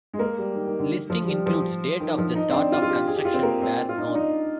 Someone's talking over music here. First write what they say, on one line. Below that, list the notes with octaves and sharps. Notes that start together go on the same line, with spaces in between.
Listing includes date of the start of construction where known.
G#3
A#3
G3
D#3
D#3
D3
F3
G3
F3
D#3
F3
D#4
C4
D4
F4
F4
G4
G#4
G4
F4
C4
A#3
C4
F4
D#4
D4
D#4